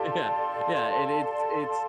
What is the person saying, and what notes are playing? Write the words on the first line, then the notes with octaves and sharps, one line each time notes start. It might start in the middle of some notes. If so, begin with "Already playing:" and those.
Ye yeah, yeah, and it's it's
Already playing: F4 G4 A4 D5 A5 C6